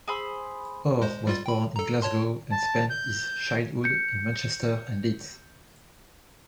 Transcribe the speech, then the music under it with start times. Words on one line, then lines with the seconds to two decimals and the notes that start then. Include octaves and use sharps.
Orr was born in Glasgow and spent his childhood in Manchester and Leeds.
0.08 G#4 C5 B5 E6
1.01 G#3 C5
1.27 G3 F4 A6
1.46 G5 B5
1.76 A4 A#5
2.02 C#5 A5 C6
2.51 A5
2.90 G6
3.84 G6 C#7